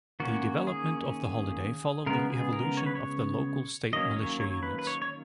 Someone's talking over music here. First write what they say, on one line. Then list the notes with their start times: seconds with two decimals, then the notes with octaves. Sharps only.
The development of the holiday followed the evolution of the local state militia units.
0.20 D#3 A#3 C#4 F#4
0.67 G#4
2.06 C#3 G#3 B3 A#4
2.30 G#4
2.53 A#4
2.77 C#5
2.86 B4
2.95 C#5
3.93 D#3 F#3 A#3 C#4 D#5
4.16 C#5
4.40 C#5
4.63 B4
4.79 B4
4.87 C#5
5.02 C#5